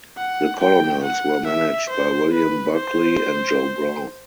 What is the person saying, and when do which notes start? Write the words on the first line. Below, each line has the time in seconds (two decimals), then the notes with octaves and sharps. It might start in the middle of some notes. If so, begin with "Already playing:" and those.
The Colonels were managed by William Buckley and Joe Brown.
0.17 F#5
0.60 G5
1.04 F#5
1.47 E5
1.90 C5
2.34 B4
2.77 C5